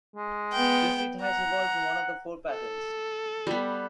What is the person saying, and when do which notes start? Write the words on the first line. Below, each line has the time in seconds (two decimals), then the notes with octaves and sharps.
District Heights evolved from one of the four patents.
0.16 G#3
0.53 B3 G5
1.22 F#5 A#5
2.50 A4
3.47 G3 B3